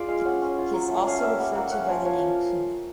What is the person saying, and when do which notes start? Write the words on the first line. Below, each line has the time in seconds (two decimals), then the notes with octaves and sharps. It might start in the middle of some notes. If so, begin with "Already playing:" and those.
He is also referred to by the name "Kumi".
Already playing: F4 G#4 D5
0.08 G#3 F5
0.25 C#4 F#5
0.42 C#4
0.58 F4
0.74 F#3
0.90 A3
1.07 C#4 F5
1.23 G3 E5
1.39 G3 F#5
1.55 A#3 F#5
1.72 C#4 F#5
1.82 G#5
1.89 F3
2.05 F3 C#5